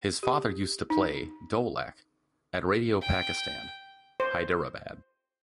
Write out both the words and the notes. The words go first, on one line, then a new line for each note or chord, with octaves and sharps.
His father used to play Dholak at Radio Pakistan Hyderabad.
G4
D#4
G5
C5